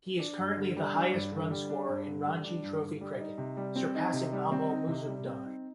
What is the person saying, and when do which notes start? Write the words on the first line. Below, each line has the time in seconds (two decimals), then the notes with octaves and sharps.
He is currently the highest run-scorer in Ranji Trophy cricket, surpassing Amol Muzumdar.
0.19 D4
0.39 G2
0.57 D3
0.77 G3
0.94 D4
1.13 G2
1.32 D3
1.50 G3
1.69 D4
1.88 G2
2.07 D3
2.26 G3
2.44 D4
2.63 G2
2.82 D3
3.01 G3
3.20 D#4
3.38 C3
3.57 G3
3.76 C4
3.95 D#4
4.13 C3
4.32 G3
4.51 C4
4.69 D#4
4.88 C3
5.08 G3
5.26 C4
5.45 D#4